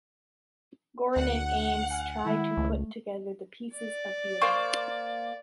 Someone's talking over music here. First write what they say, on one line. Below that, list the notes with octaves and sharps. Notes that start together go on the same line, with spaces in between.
Goren and Eames try to put together the pieces of the event.
D2 F#5
G#5 F6 G#6
D#3 G#3 E4
C#2 A3
D5
A#3 C5 C#6 G6